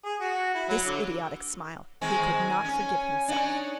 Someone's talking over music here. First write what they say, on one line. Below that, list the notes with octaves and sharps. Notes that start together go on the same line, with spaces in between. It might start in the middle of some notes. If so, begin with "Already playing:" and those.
This idiotic smile he could not forgive himself.
G#4
F#4
E4
F#3
D3
D#3 G#3 C4 G#5
C#4
D4 D#4 C#5